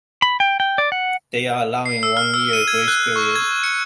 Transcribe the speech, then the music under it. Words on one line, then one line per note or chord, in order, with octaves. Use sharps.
They are allowing a one-year grace period.
B5
G5
G5
D5
F#5
C7
E6
F6
E6
D#7
G#6
F#6
C#6
G#6
C#7